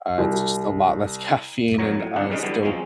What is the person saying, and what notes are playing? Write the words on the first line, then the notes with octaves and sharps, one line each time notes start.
uh, it's just a lot less caffeine and, uh, still
C2
F2 A#2 F#3 C#5 A#5
A2
G1 C2 D3 D4 D#4 F#5
F#2 G3 G#3 D#4
E2 D3 G3 B3
F3 F#3 G#3 C4 C#4